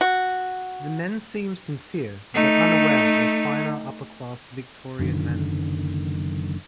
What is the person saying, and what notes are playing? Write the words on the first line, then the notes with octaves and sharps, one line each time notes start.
The men seem sincere but unaware of finer upper-class Victorian manners.
F#4
A3 D#4
F#1 F#2 D3 D#3